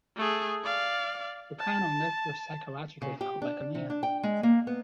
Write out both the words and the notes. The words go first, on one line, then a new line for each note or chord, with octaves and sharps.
O'Connell never psychologically felt like a man.
A3 G#4
D5 F5
A5
C#3
G4
D4
C3
D4
G5
G#3
A#3
B3